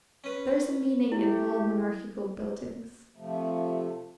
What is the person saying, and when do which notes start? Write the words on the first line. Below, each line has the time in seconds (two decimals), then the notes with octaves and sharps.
There is a meaning in all monarchical buildings.
0.24 C#4 B4
1.12 A3 E4 G4
3.16 C3 F3 A3